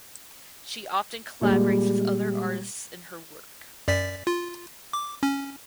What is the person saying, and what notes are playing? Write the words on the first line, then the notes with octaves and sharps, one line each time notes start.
She often collaborates with other artists in her work.
A#2 G3 G#3
F#2 D5 B6
F4
D6
C#4